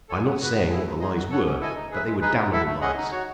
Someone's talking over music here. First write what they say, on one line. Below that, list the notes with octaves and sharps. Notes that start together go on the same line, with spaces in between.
I am not saying what the lies were, but they were damnable lies.
A4 C#5 G#5
B3
F#4 B4
B3
E4 G#4
A3
D#4 G#4 D#5
F#4
A4 C#5 F#5
C#4
E4 A4 D#5 G#5
D#4
G#4 B4 E5
G#3
D#4 G#4 B4
B3
E4 A4 E5
A3
C#4 G#4 D#5 F#5
D#4
F#4 C#5